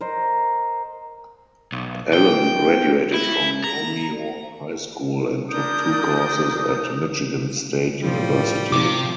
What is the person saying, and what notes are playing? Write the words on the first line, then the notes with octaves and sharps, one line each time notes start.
Allen graduated from Romeo High School and took two courses at Michigan State University.
A#4 C5 D#5
B1
G5
E4
A#5
D4 A#4 D#6 G6
A2 F3 G3
C3 F3 D6